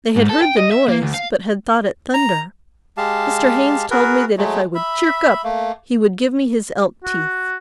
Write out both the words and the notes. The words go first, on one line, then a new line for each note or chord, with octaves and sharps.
They had heard the noise, but had thought it thunder. Mr. Haynes told me that if I would "chirk up" he would give me his elk teeth.
G#2
A4
G5
D#5
E5
A#3
D2
F5
A#5
G#3 G4 F5 A5
F#4 G#4 A#4 B4
F#3 G#3 A3
E5 B5
A3 A#3
F#4